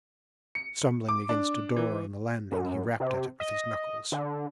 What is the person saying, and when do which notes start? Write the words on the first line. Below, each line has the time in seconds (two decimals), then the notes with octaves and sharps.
Stumbling against a door on the landing, he rapped at it with his knuckles.
0.55 C#7
1.09 D6
1.29 D4
1.76 E3
2.52 F#2
3.00 C3
3.40 D#5
4.12 D3